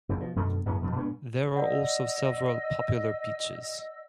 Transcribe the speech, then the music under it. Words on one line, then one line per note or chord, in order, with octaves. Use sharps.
There are also several popular beaches.
F#1 E2
B2 F3
F#2 B2 D3 A3
F#2 A2 C#3 B3
F2 B2 F3
A#2 G#3 B3 D4
D5 D#5 F#5 E6